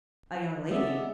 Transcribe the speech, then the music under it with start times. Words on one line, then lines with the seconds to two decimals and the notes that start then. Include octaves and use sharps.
"A young lady?"
0.71 G#3 B3 D5 E5